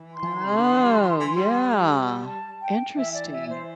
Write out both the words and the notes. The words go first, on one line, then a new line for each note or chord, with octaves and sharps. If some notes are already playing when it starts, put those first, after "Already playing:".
Oh, yeah, interesting.
Already playing: E3
C6
C3
D3
E3
G3
E3
E3
G3
A5
G5
E3 E5
D5
E5
C5